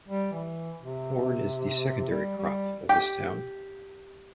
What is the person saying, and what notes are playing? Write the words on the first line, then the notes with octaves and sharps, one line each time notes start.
Corn is the secondary crop of this town.
G3
E3
C3
G3
G3
G4